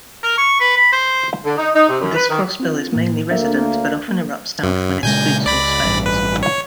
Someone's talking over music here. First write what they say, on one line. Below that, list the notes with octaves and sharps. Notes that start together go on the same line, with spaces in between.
This crossbill is mainly resident, but often irrupts south when its food source fails.
A#4
C#6
B4
B5
C5
D3
D#4
D#4
C3
F#2
B4
D#3
C4 F4
A2 A#3
D2 D3 A#3 D4 E5
A#3
F#2
A#2 C#3 G#3 G#5 G6 A#6
C#2 D5 B5 A#6
A1 G2
B4
C#5